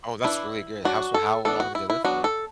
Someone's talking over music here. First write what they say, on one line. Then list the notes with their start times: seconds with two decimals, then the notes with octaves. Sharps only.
Oh, that's really good how so how long did they live for?
0.25 E3 D4 E4
0.85 F#3 D4 F#4
1.14 A4
1.45 E3 B3 D4 A4
1.60 F#4
1.75 E4
1.90 E4
2.05 F#3 B3 D4 F#4
2.24 A4